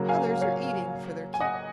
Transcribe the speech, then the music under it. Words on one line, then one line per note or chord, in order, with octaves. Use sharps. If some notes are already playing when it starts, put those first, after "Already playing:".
"Others are eating for their keep."
Already playing: C#3 F#3 A#3
F5 G#5
C#5 F5
G#5
D#5 F#5